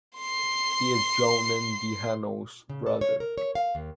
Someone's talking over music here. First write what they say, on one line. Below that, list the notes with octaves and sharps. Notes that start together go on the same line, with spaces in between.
He is Johann Dinnendalh’s brother.
C6 C7
C#3
A4
C#5
A#4
C#5
F5
D#2